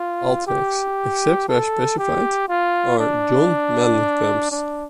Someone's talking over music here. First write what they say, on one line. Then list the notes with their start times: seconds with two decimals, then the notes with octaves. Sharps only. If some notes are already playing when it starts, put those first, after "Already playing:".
All tracks, except where specified, are John Mellencamp’s.
Already playing: F4
0.47 G4
1.49 A4
1.98 G4
2.49 F4
3.00 D4
4.52 D4